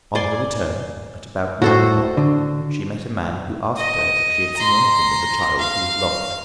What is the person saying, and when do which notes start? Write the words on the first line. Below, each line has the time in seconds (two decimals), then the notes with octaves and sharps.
On her return, at about nine o'clock, she met a man who asked her if she had seen anything of the child who was lost.
0.15 D5 G#5 C6
1.62 A2 A3 F#4 A4 C5
2.17 D3
3.77 D#5
4.57 A#5 C6
5.58 F5